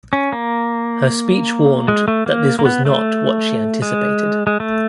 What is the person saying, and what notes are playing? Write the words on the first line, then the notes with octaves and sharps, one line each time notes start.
Her speech warned that this was not what she anticipated.
C#4
A#3
G#3
A3
A#3
A#3
B3
A3
G#3
G#3
A3